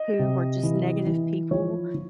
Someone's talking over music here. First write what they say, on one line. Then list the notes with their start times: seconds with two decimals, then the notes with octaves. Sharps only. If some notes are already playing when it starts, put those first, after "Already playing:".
who were just negative people,
Already playing: D#5
0.19 C3
0.63 E3
1.06 E3
1.51 F3 C#5
1.94 F3